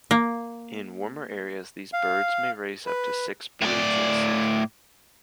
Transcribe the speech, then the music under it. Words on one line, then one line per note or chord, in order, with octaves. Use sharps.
In warmer areas, these birds may raise up to six broods in a season.
A#3
F5
B4
A2 D5